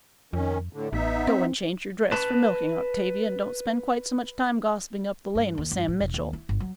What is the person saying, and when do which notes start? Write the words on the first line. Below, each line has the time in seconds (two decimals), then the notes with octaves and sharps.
Go and change your dress for milking, Octavia, and don't spend quite so much time gossiping up the lane with Sam Mitchell.
0.33 F2 D#3 C#4
0.73 A2 D3
0.93 A1 B3 D#4 E5
1.27 C4
2.12 B4 A5
5.35 G2
5.58 D#2
5.71 G2
5.88 A2
6.01 E1
6.14 D#2
6.33 E4
6.49 G1
6.60 F#3